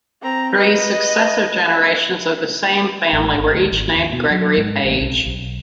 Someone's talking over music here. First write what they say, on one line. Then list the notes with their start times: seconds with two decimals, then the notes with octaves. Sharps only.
Three successive generations of the same family were each named Gregory Page.
0.22 C4 A#5
0.54 B4 D#5
3.13 A1
3.34 G#1
3.53 D2
3.73 G#1
3.96 D#2
4.13 B2
4.31 F#3
4.58 G#2
4.84 A1
5.01 B1
5.26 B1